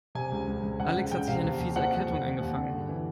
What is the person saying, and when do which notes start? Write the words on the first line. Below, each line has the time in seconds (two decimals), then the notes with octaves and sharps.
Alex hat sich eine fiese Erkältung eingefangen.
0.15 C3 G#5
0.32 C#2
0.47 C#2
0.63 C#2
0.80 C#2 F#5
0.96 C#2
1.11 C#2 G5
1.28 C3 F5
1.44 D#2
1.60 D#2
1.76 F3 F#5
1.92 F3
2.08 D#2
2.24 D#2
2.40 D#2
2.56 D3
2.73 G2
2.89 E3